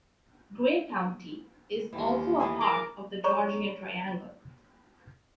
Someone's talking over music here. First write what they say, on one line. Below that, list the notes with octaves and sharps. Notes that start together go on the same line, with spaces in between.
Grey County is also a part of the Georgian Triangle.
D#2 E3 G#3
E3 A3 B3 G#4
G#4 A#4 D6
G#4 A4 C#5 D5 A#5 C#6